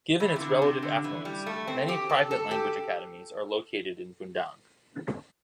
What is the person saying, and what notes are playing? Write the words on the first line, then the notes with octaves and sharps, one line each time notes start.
Given its relative affluence, many private language academies are located in Bundang.
E3
C3
D3
C3
D3
E3
G3
A3
C4
G4
A4
A4
G4